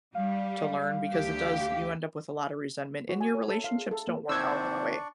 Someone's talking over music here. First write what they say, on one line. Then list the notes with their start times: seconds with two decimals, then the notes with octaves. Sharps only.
to learn because it does you end up with a lotta resentment, and your relationships don't work out that way.
0.15 G3 F5
1.12 D2 G4
3.09 F#4
3.21 G#5
3.35 C#5
3.48 A4
3.64 F5
3.78 G#4
3.91 A4
4.07 A#3
4.29 C3 D#3 D4 C5 D5 C#6 E6 G#6